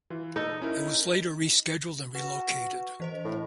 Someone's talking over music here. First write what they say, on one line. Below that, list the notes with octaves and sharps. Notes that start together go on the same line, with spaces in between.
It was later rescheduled and relocated.
E3 F4
D#4 A4
C#4 E4 A#4
F#4 B4
E3 C5 D#5
A2